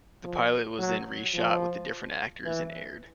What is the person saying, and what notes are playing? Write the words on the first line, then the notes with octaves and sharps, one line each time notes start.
The pilot was then re-shot with the different actors and aired.
F3
F#3
F3
E3